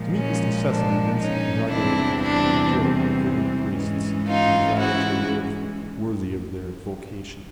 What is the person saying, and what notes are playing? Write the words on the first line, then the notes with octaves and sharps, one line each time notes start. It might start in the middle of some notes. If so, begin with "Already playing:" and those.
To meet this necessity Vincent inaugurated a kind of guild for young priests who desire to live worthy of their vocation.
Already playing: A#2 F3 G#3
C#4
D4
C#4 D#4
E2 C3 E3 G3 C4 D4 E4
D4 E4
G#2 E3 G#3 C#4
D#4 F4
E4 F#4